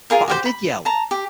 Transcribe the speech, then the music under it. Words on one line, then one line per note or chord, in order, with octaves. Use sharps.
But I did yell.
F4 G#4 A#4 F5
F#4 G4 C5
B5
A5 A#5
G4